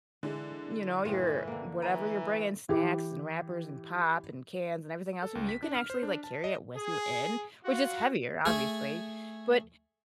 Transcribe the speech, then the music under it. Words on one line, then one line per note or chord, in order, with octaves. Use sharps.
you know, your whatever you're bringing- snacks and wrappers and pop and cans and everything else- you can actually, like, carry it with you in, which is heavier, obviously. But
D3 E3 G#3
F#1 A2 E3 F4
D3 A#3
E3 A#5
E3 G4
A4
C#2
B6
D4
F6
C5
D4
A5
D#5
G#4
F4 F#4
A3 G#4